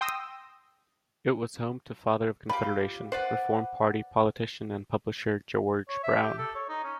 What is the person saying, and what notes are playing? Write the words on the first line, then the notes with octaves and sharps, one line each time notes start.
It was home to Father of Confederation, Reform Party politician and publisher George Brown.
G5 C6 D#6 E6 A#6
F4 G4 B5
B4 C5 D5 F#5
C#5
E5
G4
A4
C#5
D#4
C#4